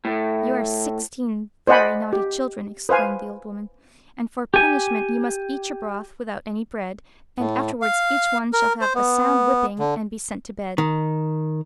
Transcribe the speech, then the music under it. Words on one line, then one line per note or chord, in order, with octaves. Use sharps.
"You are sixteen very naughty children!" exclaimed the old woman; "and for punishment you must eat your broth without any bread, and afterwards each one shall have a sound whipping and be sent to bed."
A2
C5 D5 D#5 F#5 G#5 B5
G4
B4 C5 F5 G#5
G4 G#5
A2
F5
A#4
C5
B3
D3
D#3